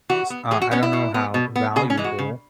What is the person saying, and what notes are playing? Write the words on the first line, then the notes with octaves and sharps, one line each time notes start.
s uh, I don't know how valuable,
E3 F#4
B3
E3 G#4
F#4
B3 C#4
E4
B2
B3
B2
B3
C#3 G#4
C#4
E3 G#3
F#4
C#3